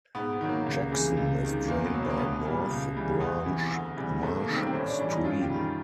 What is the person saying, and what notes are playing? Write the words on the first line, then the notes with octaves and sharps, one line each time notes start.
Jackson is drained by North Branch Marsh Stream.
G#2 B3
B3
D#3 F#3
A#3
C#2
C3 E3 G#3
C#2
C3 D#3 G#3
E2 A#3
B3
B2 F#3
B3
A#3
C2 B3
A#2 G3
C#2
C#3 E3 G3
E2 B3
C3 E3
D2
C3 E3 G3
C2 A3
A#3
C3 D#3 G3
C4
C4
A2 C#4
D4
E3 G3 D4
D#4
F#2 F4
G4
D#3 G3